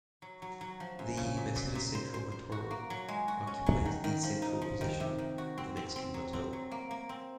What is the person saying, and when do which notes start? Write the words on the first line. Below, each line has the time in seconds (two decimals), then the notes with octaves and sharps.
The Meseta Central matorral occupies the central portion of the Mexican Plateau.
0.22 F#3
0.42 F#3
0.61 F#3
0.80 F3
0.99 F#2
1.17 C#3
1.37 A#2
1.56 A#2
1.75 A#2
1.95 C5
2.14 C5
2.32 C5
2.52 F#4
2.71 A#3
2.90 F#3
3.08 G#3
3.28 F#4
3.47 C#4
3.66 F#3
3.85 D#3
4.04 D#3
4.23 F3
4.42 D#4
4.62 F3
4.81 D#3
5.00 C3
5.18 D#3
5.38 F#4
5.58 C4
5.77 C4
5.96 C4
6.14 F#3
6.33 C4
6.53 F#3
6.71 A#3
6.91 A#3
7.09 C4